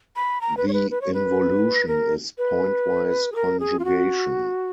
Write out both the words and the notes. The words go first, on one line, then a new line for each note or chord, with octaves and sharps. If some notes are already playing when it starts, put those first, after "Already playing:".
The involution is pointwise conjugation.
B5
A#5
B4
C#5
B4
B4
C#5
B4
A#4
B4
G#4
A#4
G#4
F4
F#4